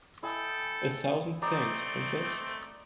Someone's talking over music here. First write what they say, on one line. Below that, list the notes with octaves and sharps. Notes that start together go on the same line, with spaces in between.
A thousand thanks, Princess.
E4 A4 D#5 G5 G#5
A3 C4 D5 D#5 A#5